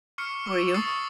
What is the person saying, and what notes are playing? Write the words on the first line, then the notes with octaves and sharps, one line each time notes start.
Were you?
C#6 D6 F6 C7 C#7
C#6 D6 E6
C#6 D#6 E6 A6 C7 C#7